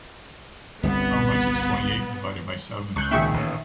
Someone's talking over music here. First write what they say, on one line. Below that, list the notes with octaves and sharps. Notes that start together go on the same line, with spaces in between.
How much is twenty-eight divided by seven?
G1 C2 D3 B3
C#2 C#6 F#6 G6
A#2 D#3 G#4 E5 G5 C#6
A1